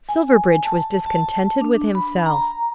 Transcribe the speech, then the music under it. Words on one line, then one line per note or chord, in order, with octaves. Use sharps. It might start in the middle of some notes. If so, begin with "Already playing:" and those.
Silverbridge was discontented with himself.
G#5
A5
A5
D4
B5
A#5